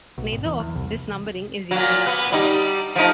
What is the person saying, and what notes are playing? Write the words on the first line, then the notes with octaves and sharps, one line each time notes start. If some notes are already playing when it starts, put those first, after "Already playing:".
Neither of this numbering is unique.
B1
G#1
E2
E2
C2
A#2 F#3
B3
G3 D#4
F3 A3 D#4